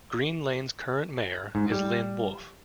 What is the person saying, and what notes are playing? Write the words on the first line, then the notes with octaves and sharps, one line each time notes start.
Green Lanes current Mayor is Lynn Wolfe.
G#2
G3